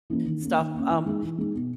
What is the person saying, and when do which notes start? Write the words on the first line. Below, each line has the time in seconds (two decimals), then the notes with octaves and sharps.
stuff, um,
0.10 E3 A#3 C#4 E4
0.25 D#3
0.41 A#3 C#4
0.58 D#3
0.74 A#3 C#4
0.90 E3
1.06 G#3 D#4
1.22 E3
1.38 G#3 D#4
1.54 B2